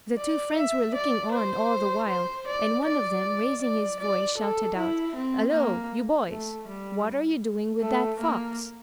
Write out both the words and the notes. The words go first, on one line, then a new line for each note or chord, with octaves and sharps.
The two friends were looking on all the while, and one of them, raising his voice, shouted out, "Hallo! you boys! what are you doing with that fox?"
D5
E5
D5
C5
C5
D5
D5
D5
D5
A4
E4
C4
A#3
A3
G3
A3
A#3